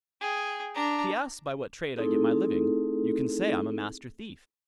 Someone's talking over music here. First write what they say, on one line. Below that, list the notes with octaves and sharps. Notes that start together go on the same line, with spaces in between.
'If he asks by what trade I get my living, you can say I'm a Master Thief.'
G#4 G5
D4 A#5
A3 C4 D#4 E4 G#4 A4